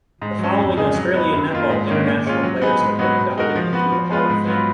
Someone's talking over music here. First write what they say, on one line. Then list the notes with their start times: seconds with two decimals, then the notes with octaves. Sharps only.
The following Australian netball international players have been inducted into the Hall of Fame.
0.22 G#2
0.39 F#3 C#4
0.59 F2
0.77 C#3 G#3 D#4 G#4
0.95 F#3
1.14 B3 D#4
1.32 F#2
1.50 D#3 A#3 F4
1.69 G#2
1.87 D#3 A#3 C#4
2.07 A#2
2.26 G#3 C#4 F4
2.43 F#3
2.62 B3 D#4 G#4
2.81 G#2
2.99 F#3 B3 D#4 F#4
3.17 B2
3.36 G#3 D#4 F#4 A#4
3.56 F3
3.73 B3 F#4
3.92 F3
4.11 G#3 B3 F4
4.30 G#2
4.47 F#3 B3 F4